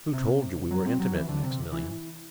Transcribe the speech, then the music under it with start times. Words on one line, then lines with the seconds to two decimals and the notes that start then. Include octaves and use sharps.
"Who told you we were intimate, Maximilian?"
0.13 C3
0.71 F#3
0.86 C4
1.00 F#3
1.15 E3
1.29 D3
1.43 C3
1.72 E3